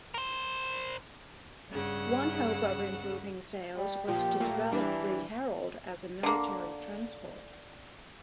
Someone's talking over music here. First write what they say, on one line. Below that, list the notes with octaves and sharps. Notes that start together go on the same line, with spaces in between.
One hope of improving sales was to develop the Herald as a military transport.
A#4 C5
G2 C#3 F#5 E6
G3
A#2 F3 G4
A#2 A3 A#3
E3 G3 D4
D3 A#3